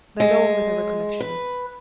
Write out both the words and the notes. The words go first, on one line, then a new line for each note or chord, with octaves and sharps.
They go on with their recollections.
G#3
B4